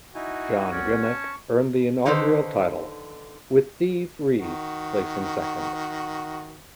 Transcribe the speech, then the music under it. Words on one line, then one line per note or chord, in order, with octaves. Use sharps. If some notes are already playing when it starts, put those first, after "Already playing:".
John Grimek earned the inaugural title with Steve Reeves placing second.
D#4 E4 F#4 G#5
C2 B3 C#4 D5
A5 C#6
D3 D#3 D#4 A4 B4 C5
D#3 F#4